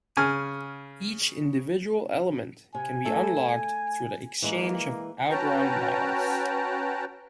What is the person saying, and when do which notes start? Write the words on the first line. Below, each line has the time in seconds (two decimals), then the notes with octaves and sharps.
Each individual element can be unlocked through the exchange of "OutRun Miles".
0.17 C#3 G#5 F6
2.75 C3 G#5
3.05 A3 A4
4.42 E3 G#3 A#3
5.30 C#4 F#4 B4 G5 A5 A#5